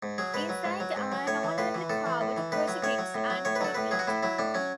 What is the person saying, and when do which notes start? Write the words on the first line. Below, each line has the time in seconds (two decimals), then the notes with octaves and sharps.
Inside are an ornately carved crucifix and pulpit.
0.03 G#2
0.18 F#3 G#4
0.34 G#2 B4
0.49 F#3
0.65 G#2
0.80 F#3
0.96 G#2
1.12 F#3
1.27 A2 C#5
1.43 E3
1.58 A2 B4
1.75 E3
1.90 A2 A4
2.06 E3
2.21 A2
2.36 E3
2.52 A2 B4
2.68 F#3
2.83 A2 C#5
2.98 F#3
3.15 A2
3.30 F#3
3.45 A2 C#5
3.55 B4
3.61 F#3 A4
3.74 A2 B4
3.91 F#3 G#4
3.99 F#4
4.07 A2 E4
4.23 F#3 E4
4.39 A2 D4
4.54 F#3 C#4